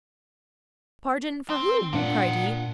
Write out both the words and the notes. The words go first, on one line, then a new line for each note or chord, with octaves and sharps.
"Pardon for whom?" cried he.
C4
A#2 A#3 D4 F#5